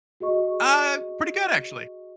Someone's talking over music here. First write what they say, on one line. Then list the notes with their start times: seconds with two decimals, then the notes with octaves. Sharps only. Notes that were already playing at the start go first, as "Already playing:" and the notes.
Uh, pretty good, actually,
0.20 F#4 G#4 D#5 C#6